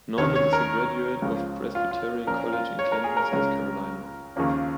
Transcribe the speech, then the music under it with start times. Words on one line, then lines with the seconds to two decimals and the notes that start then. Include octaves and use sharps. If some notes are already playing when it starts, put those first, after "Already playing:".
Norman is a graduate of Presbyterian College in Clinton, South Carolina.
0.18 D#2 D#3 C#4 C#5
0.36 C#5
0.53 A#4
1.22 C#2 C#3 F3
1.75 F4
1.91 F4
2.27 A#2 F3 C#4 A#4
2.53 F4
2.79 C#5
2.92 A#4
3.04 G#4
3.17 A#4
3.31 C#2 C#3 G#3 C#4
4.36 D#2 C#3 F3 A#3 C#4